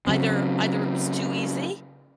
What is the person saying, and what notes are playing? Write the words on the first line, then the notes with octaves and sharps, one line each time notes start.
Either either it was too easy,
C#3 F#3 C4